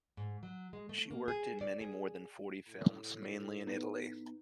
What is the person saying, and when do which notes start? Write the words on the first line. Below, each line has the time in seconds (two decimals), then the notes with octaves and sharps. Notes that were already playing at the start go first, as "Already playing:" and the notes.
She worked in more than forty films, mainly in Italy.
0.17 G#2
0.43 F#3
0.73 G#3
0.89 A3
1.11 A#3
1.28 G#4
1.61 D5
1.81 G#4
2.67 A2
3.67 B3 D#4